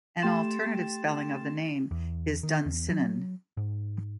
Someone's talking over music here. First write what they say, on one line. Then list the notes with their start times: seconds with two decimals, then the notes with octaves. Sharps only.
An alternative spelling of the name is Dunsinnan.
0.22 A3 G4 G5 C6 A6 E7
1.91 E2
2.43 D#3
2.66 E2
2.89 F#3
3.57 G#2